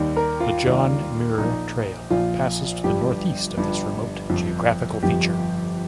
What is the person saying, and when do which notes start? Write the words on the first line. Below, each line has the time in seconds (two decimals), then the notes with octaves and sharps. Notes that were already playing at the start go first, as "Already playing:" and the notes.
The John Muir Trail passes to the northeast of this remote geographical feature.
Already playing: D#2 D#3 G3
0.17 A#4
0.40 F4
0.65 D#2 D#3 G3
1.38 A#1 A#2 F3 D#4
2.10 A#1 A#2 F3 F4
2.84 G1 G2 F3 G4
3.57 G1 G2 F3
4.30 G1 F2 F3
5.03 G1 F2 F3 G4